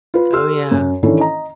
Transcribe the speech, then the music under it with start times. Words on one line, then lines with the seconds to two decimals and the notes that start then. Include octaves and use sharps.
Oh, yeah.
0.14 F4 B4
0.33 G4 A4 C6 E6 F6
0.71 F#2
1.03 D#3 E3 C#4 D4 E4 A4
1.20 D#5 A#5